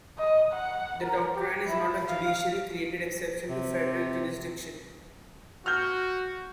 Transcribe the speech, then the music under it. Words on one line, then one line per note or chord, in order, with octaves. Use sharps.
The doctrine is not a judicially created exception to federal jurisdiction.
D#5
F#5
A#4
G4
E4
F5
C3
F#4 F6 G6